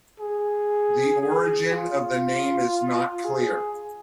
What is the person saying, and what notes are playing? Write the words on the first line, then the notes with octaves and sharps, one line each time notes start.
The origin of the name is not clear.
G#4
G#4
F4
G#4